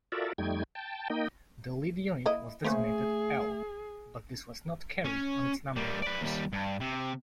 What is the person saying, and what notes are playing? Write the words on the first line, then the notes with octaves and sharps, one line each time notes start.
The lead unit was designated 'L', but this was not carried on its numberboards.
F4 F#4 A4 A#4 D5 E5
F2 G3 A3 D#4 G5 G#6
G5 A5
A#3 D#4 D#5 G5
A#3 E4 D#5
A3 A#3 C#4 G#4 C5
C#4
G3 A#3
B4 D5
D#2 G3
G2
C3